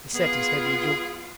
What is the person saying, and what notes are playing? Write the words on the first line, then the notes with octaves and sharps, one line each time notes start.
He set his heavy jaw.
B3 F4 G#4